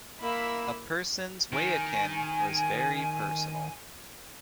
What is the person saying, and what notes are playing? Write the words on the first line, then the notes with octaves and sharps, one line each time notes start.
A person's weyekin was very personal.
A#3 E4 B5 E6
D#3 G#5